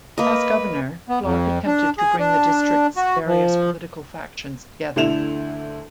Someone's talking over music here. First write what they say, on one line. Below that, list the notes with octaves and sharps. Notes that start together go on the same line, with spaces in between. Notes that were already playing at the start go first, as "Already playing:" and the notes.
As governor, Clark attempted to bring the district's various political factions together.
A#3 B4 D#5
B3
F2
D4
G#4
D4
F#4
F3
D2 D3 E4 E7 F7